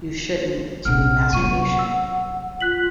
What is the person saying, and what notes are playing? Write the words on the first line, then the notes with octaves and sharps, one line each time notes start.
You shouldn't do masturbation.
A#1 C3 F#5 F6
F#3 A#3 F4 C#6 D#7
E6
F4 F#6 B6 F#7